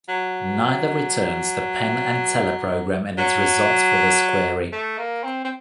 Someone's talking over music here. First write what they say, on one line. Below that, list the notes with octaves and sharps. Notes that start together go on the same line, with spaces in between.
Neither returns the Penn and Teller program in its results for this query.
F#3
F#3
A3
A#3
C4
C4